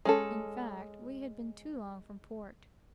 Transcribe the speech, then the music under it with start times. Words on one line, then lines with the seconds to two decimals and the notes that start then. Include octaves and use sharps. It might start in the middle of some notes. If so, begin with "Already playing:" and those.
In fact, we had been too long from port.
0.05 G#3 C#4 A4